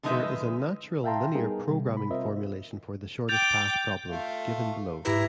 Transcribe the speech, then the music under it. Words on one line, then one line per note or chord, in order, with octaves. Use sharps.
There is a natural linear programming formulation for the shortest path problem, given below.
D3 F3 G#3 D#4 B4 E5
E5 F5 G5 A5 A#5 C6
G3 B3 D#4 G#4 A#4
C3 G3
B5
C4 F4 A#4 C5 D#5 E5
G5 D6 G6 A6 F7
A3 F4
G#2 E4 G4 B4 A#5